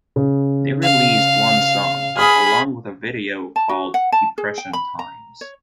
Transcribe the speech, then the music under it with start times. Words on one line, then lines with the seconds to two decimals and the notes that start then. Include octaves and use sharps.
They released one song, along with a video, called 'Depression Times'.
0.16 C#3
0.83 F5
2.17 G#4 G#5 B5 D#6 F6
3.56 A5
3.69 F#4
3.94 F#5
4.12 A5
4.38 G#4
4.58 G5
4.73 B5
4.99 A#5
5.41 C#5